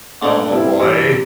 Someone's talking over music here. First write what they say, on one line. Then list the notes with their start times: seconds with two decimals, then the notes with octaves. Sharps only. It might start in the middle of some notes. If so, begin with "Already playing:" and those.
Oh boy.
0.22 A#2 A3 D4
0.50 C3 G3 C4 E4
0.80 G2 E3 G3
1.10 C3